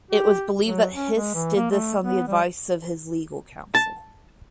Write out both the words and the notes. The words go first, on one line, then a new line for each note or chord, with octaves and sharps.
It was believed that Hiss did this on the advice of his legal counsel.
G4
F#3
C#4
G#3
E3
A#3
A3
B3
G3
A5